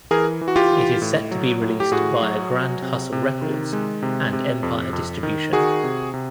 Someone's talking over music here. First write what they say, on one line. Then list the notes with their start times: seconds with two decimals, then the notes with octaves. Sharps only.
It is set to be released via Grand Hustle Records and Empire Distribution.
0.11 E3 G#4 A#4
0.41 E3
0.48 F#4
0.56 F4 G4
0.72 E3
1.02 A2
1.31 F#3
1.61 A2
1.80 G4
1.92 A2 F#4 G#4
2.22 F#3
2.52 F#3
2.82 C3
3.12 C3
3.42 D#3
3.73 G#3
4.03 C3
4.33 C3
4.63 F2
4.93 F2
5.23 D#3
5.53 D#3 F#4 G#4
5.83 C3
6.14 C3